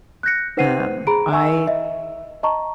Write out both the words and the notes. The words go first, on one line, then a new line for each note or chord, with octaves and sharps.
Um, I
F#6 G6 A#6 C#7
D#4 B4 C5 F#5 C7 D#7
G#4 A#5 B5 D7
E5 G#5 C#6 E6
D#5 E5
D#5 A5 A#5 C#6